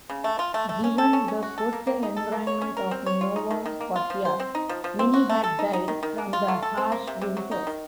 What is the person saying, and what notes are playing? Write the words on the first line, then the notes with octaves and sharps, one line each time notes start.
Given the coastal environment of Nova Scotia, many had died from the harsh winters.
C#3
A3
F4
A3
A3
C#4
A4
C#4
C#4
F#4
A4
A#3
A#3
D#4
A4
A#3
C#5
C#4
A#4
C4
C#5
F4
D#4
D#3
D#3
A#3
F4
F3
C5
C4
D#4
F3
F3
C4
F#4
A3
A4
D#4
D#4
D#3
D#3
A#3
F4
A3
A4
C4
A#3
C3
C3
F#3
D#4
D#3